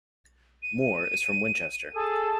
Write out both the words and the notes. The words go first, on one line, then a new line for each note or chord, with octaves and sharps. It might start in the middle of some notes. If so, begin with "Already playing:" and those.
Moore is from Winchester.
D#7
G#4 A4 A5